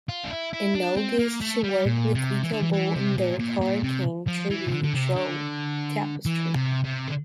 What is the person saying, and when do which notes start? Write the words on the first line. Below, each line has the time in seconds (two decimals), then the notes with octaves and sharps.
In August she worked with Vika Bull in their Carole King tribute show, "Tapestry".
0.09 F4
0.24 D4
0.31 E4
0.53 E4
0.75 D4
0.96 C4
1.19 A#3
1.41 A3
1.64 G3
1.86 A#2
2.15 C3
2.43 E3
2.53 D3
2.63 E3
2.73 E3
2.96 C3
3.18 A#2
3.39 A#2
3.61 A#2
3.83 C3
4.27 F3
4.50 E3
4.67 C3
4.71 D3
4.84 D3
4.94 C3
5.15 D3
6.25 E3
6.55 C3
6.84 C3
7.08 D3